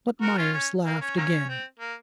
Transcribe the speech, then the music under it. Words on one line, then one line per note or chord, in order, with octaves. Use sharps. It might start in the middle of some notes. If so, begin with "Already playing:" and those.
But Myerst laughed again.
F#4 A#4
C#4 F4
C#4
A#3
C#4
F#3 A#3 C#4
C4
A#3